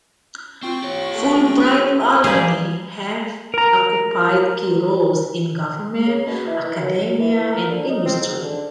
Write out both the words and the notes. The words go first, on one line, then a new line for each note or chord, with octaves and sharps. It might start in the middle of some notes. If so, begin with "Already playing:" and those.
Fulbright alumni have occupied key roles in government, academia, and industry.
C4 F4 G5 C#6
G4 C#5
A3 A4
G#3 A#3 G4 G#4 B4 C5 D5 A5
A#4 A#5
C#3
B2
E3
D#3
F#3
E3
A#4
D3
D#4
C4
G#2
D3